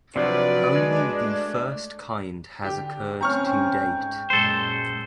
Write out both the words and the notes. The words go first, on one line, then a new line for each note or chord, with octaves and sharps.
Only the first kind has occurred to date.
C3 F3 F#3 D4 F#4 B4 D5
G#3
A3
D3 G4
A3 C4 C#4 G5 A#5 C#6 F6
G#2
F#2 A#2 G#3 A4 C5